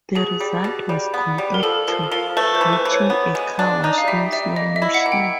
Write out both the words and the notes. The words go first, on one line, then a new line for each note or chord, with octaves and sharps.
The result was compared to "watching a car crash in slow motion".
B2 G#4
G3
B2
G3
B3
G3
A#4
F3 A4
F3 A#4
A4
F3 A#4
A3 B4
C5
E3
B4
E3
C#5
B3
G#3
D4
D#4 D5
F5
G3 E5
G3 E5
A#3 D#5
E5
E4
F#5
A#3
G5